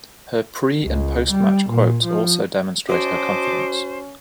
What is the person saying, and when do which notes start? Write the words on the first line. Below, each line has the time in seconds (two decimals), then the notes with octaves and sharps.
Her pre- and post-match quotes also demonstrate her confidence.
0.83 C#2
1.31 G3
1.70 A#2
2.05 F3
2.89 C#4 F#4 C5 D#5 A5 D6